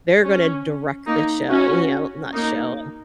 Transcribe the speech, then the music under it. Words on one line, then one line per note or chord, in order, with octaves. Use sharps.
they're gonna direct the show," you know, not show.
C#4
A#3 D#4
C#4 F#4
A#3 D#4